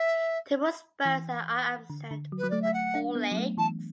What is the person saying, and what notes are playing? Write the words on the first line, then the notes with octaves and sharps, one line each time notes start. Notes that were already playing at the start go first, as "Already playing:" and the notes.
Tibial spurs are absent on all legs.
Already playing: E5
E3
D3
D3
F#3
B4
F#3
A3 D5
E5
F#5
D4
B3
F#3
A3
E3 A5